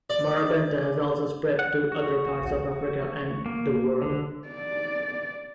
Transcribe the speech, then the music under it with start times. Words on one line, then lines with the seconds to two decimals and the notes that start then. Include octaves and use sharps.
Marrabenta has also spread to other parts of Africa and the world.
0.10 D5
1.59 F#5
1.92 F#4
3.46 A#3
4.02 D3
4.48 D5